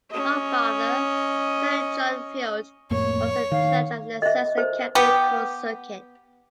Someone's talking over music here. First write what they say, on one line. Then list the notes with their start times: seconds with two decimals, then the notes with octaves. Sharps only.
Her father, Sir John Field, was the judge of Leicester County Court Circuit.
0.11 C#4 D#5
2.91 F2 A2 A#3 C#5
3.52 D#3 F5
4.22 D#5 E5
4.58 C5
4.95 B3 G4